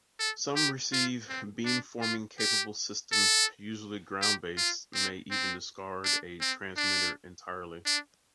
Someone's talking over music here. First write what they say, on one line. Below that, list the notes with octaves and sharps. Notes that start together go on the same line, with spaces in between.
Some receive beamforming-capable systems, usually ground-based, may even discard a transmitter entirely.
A4
G4
F4
C4
D4
F4
G4
A4
G4
F4
C4
C4
D4
C4
D4
D4